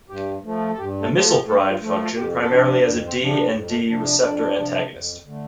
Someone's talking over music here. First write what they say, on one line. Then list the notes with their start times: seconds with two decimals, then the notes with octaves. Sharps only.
Amisulpride function primarily as a D and D receptor antagonist.
0.09 G2 G4
0.44 F3 A3
0.72 A4
0.78 G2 G4
1.01 A3 A4
1.12 F3 A3
1.20 C5
1.24 A3 A4
1.47 G2 A3 A4
1.70 F4
1.81 F3 A3
1.93 F4
2.15 F2 G4
2.40 A4
2.49 C3 F3 C4 D4 C5
2.84 F2 D4 D5
3.07 C4 C5
3.18 C3 F3 D4
3.30 G4
3.52 F2
3.69 A3 A4
3.87 C3 F3 D4
4.04 D5
4.21 F2 D4 D5
4.56 C3 F3 D4
4.90 F2
5.24 D3 A3